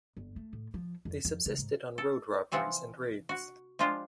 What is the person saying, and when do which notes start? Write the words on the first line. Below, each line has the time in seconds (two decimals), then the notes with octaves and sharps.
They subsisted on road robberies and raids.
0.17 G1
0.36 A3
0.53 A2
0.74 F3
1.05 F2
1.25 F2
1.46 C#3
1.58 G#2
1.98 A4
2.52 C3 E3 F3 C4 F#5
3.29 F#4
3.79 F3 G#3 D4 F4 G4 C5